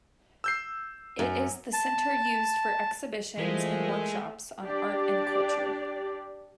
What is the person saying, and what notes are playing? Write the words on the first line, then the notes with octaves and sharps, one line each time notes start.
It is the center used for exhibitions and workshops on art and culture.
E6 G6 C7
F#2
A5
E3 F3 G#3 A3 G#4 A#4 B6
D4 G4 D5